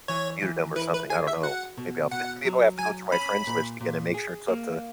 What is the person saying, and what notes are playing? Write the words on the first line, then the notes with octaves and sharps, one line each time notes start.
muted him or something, I don't know. Maybe I'll have to maybe I'll have to go through my friends list again and make sure it's up to
E3 C#5
E3
E4 B4
B4
G#4 G#5
E5
F#4 F#5
B2
B2 F#5
F#3
F#3 G#5
C#4 B5
A#2
A#2
G#4
A#3